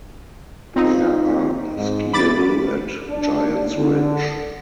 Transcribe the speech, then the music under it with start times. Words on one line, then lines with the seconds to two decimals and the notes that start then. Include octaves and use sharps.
There are skiable at Giants Ridge.
0.76 C4 D#4 F4
1.77 G#2
2.13 E2 B5 D6 A6
3.09 D4
3.76 D3